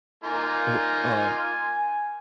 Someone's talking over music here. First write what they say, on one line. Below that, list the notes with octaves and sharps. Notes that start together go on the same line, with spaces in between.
wh or
A#3 D#4 F4 G#5